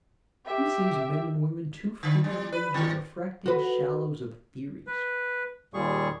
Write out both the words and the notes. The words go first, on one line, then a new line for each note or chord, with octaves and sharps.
He sees men and women too frequently in the refracting shallows of theories.
G4 E5
D3
G3
B4
D#3
F#4 B4
B4
D#2 A#2 G3 G#4 C#6